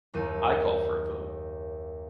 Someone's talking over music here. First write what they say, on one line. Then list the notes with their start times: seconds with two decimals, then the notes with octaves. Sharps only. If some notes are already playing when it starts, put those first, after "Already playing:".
I call for a vote.
0.14 F#1 D#2 D#7